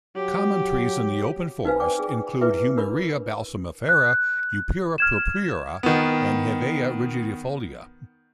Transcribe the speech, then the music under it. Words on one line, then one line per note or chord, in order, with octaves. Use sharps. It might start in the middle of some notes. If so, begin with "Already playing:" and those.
Common trees in the open forest include "Humiria balsamifera", "Eperua purpurea" and "Hevea rigidifolia".
F#3 G4
D#4 F#4 B4 C5 F5 G#5
D5 G5 G#5 D6
G#4
E4 B4 E5 D6
D4 A#4 B5
F#6
F6 G#6 E7
D#3 B3